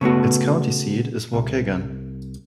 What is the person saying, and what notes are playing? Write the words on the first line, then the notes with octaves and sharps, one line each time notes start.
Its county seat is Waukegan.
C#3 A3 B3 F#4
C2